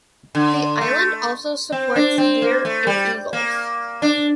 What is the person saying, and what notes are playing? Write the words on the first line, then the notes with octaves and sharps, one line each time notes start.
The island also supports deer and eagles.
D3
A3
C4
D4
C4
A#3
A3
G3
A#3
D4